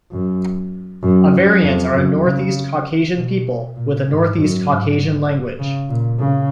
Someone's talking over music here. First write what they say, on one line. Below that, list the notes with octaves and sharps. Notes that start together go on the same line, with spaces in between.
Avarians are a Northeast Caucasian people with a Northeast Caucasian language.
F#2
F#2
F#2
F2
F#2
C#3
B2
A#2
G#2
F#2
G#2
C#3
A#2
C#3